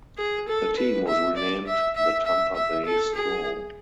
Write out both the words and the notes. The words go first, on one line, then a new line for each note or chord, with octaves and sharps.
The team was renamed the Tampa Bay Storm.
G#4
A4
B4
E5
D5
E5
E5
E5
E5
A4
G#4